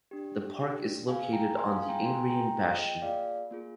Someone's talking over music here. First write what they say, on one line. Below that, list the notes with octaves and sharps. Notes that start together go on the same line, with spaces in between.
The park is located on the Ingrian Bastion.
D4 G4
D4 G4
A#3 F4 G#4 F5 G#5
G5 A#5
A#3 F4 G#4 G#5 C6
F5 G#5
G#5
G5 A#5
A#3 F4 G#4 G#5 C6
G5 A#5
A#3 F4 G#4
D#5 G5
A#3 F4 G#4 D5 F5
A#3 F4 G#4